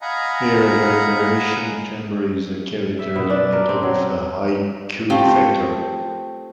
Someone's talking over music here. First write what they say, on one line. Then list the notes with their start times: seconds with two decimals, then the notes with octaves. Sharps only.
A reverberation chamber is a cavity resonator with a high Q factor.
0.02 D#5 F5 F#5 G#5 A#5 B5
2.99 E5
3.16 B2
3.30 D4
3.52 A#4
3.69 C4
3.83 F#3
5.10 A3 C4 F4 G4